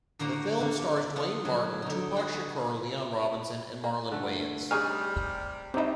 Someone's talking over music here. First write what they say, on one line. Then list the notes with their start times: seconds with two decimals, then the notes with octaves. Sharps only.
The film stars Duane Martin, Tupac Shakur, Leon Robinson and Marlon Wayans.
0.19 A2 D3 A#3 F#4 C5 A#5
0.60 D3 A#3
1.16 B3 F4
1.45 F#3
1.82 D3 D#4
2.16 F#4 G#4
3.84 A#3
4.12 D3 A3
4.71 C3 G3 D#4 G#4 C#5 G#5 F6
5.74 F#3 C4 D#4 E4 G4